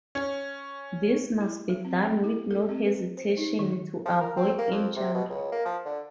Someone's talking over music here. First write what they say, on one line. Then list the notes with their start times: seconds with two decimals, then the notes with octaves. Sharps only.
This must be done with no hesitation, to avoid injury.
0.15 C#4
1.41 E4
1.69 F#3
1.85 C4
2.03 A3
2.24 E4
2.51 A4
2.69 C4
2.85 B4
3.17 C5
3.37 D#4
3.59 D#3
4.06 F3
4.21 A#4
4.37 C4
4.59 A#3
4.72 F2
4.96 C3
5.14 B2
5.30 C#2
5.52 A#3
5.65 F3
5.85 D3